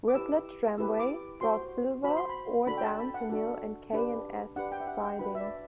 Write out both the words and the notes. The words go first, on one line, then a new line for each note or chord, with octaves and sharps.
Riblet tramway brought silver ore down to mill and K and S siding.
D6
E4 G4 B4 E6
E4 G4 B4 E6
D6
F#4 C5 C6
F#4 C5 B5
C6
B5
D4 F#4 A4 B5
G5
A5
B5
F#5
D4 F#4 A4
D4 G4 B4
D4 G4 B4 F#5
G5
E5
F#5
G5
D4 F#4 B4 B5
E5
D5